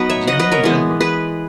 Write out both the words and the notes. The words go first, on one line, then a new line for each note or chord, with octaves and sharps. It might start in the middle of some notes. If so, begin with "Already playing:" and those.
Jamming with Edward!
Already playing: F#3 B3 D#4 B4
C#5 E5
D#5 F#5
B4 D#5
A#4 C#5
E3 G#3 B3
G#4 B4